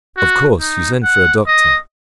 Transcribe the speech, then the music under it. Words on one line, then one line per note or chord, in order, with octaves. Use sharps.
"Of course you sent for a doctor?"
F#4
D#4
F#5
D#5